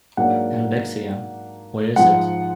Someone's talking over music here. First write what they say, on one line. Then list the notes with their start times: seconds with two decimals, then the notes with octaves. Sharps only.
And Bexiga, where is it?
0.17 G#2 F#3 A#3 D4 F#5
1.96 G#2 F3 G#3 F#5